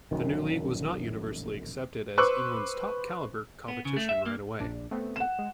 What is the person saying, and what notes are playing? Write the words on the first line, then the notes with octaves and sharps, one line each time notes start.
The new league was not universally accepted as England's top-calibre competition right away.
E1 A#1 F#2 D#3
B4 C5 C#6 D6 E6 F#6
B3
C#3
A3
E5
A#3
A#1 D4
A3 B3 C4
F#5 E7
G#3